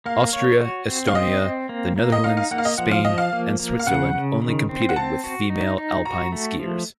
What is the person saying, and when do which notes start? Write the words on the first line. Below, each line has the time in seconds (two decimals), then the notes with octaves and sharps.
Austria, Estonia, the Netherlands, Spain, and Switzerland only competed with female alpine skiers.
0.06 A#3 F5
0.33 C#5
0.60 F#4
0.87 C4
1.08 F5
1.15 C4 D#5
1.42 C4
1.69 A#3
1.96 A#3
2.12 D#5
2.24 D#4 F5
2.37 F5
2.51 A#3 F#5
2.58 F5
2.65 D#5
2.78 F3 F#5
2.91 F5
3.05 F3 D#5
3.18 F5
3.33 A#3
3.59 A#3
3.79 F5
3.87 C#3 F#5
4.14 C#3
4.42 D#3
4.69 C4
4.89 F#5
4.96 C4 A5
5.24 F#4
5.50 D#4
5.78 D#4
6.05 F#4 A#5
6.32 A3
6.59 F3